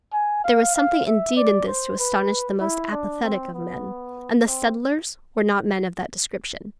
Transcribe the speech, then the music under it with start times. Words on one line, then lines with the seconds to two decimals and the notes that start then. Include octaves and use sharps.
There was something indeed in this to astonish the most apathetic of men, and the settlers were not men of that description.
0.13 G#5
0.44 F5
0.75 F5
1.06 E5
1.36 D5
1.68 C5
1.99 B4
2.60 E4
2.92 D4
3.23 C4
3.54 B3
4.46 C4